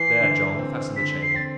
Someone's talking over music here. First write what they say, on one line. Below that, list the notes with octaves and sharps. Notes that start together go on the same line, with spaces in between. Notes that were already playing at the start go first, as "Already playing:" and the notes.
There, John, fasten the chain.
Already playing: E3 C7
D3
C4
D3 B6
C7
C4 A6